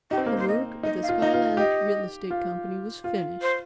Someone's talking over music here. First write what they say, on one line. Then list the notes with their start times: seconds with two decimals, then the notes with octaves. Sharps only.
The work of the Skyland Real Estate Company was finished.
0.11 D#4 G4
0.18 C4
0.26 A#3
0.33 C4 C5
0.48 D#5
0.83 D#4 D#5
1.03 F5
1.09 F4
1.21 D#4 D#5
1.33 F4
1.57 G4 D#5
2.31 F4
3.04 F4
3.41 C5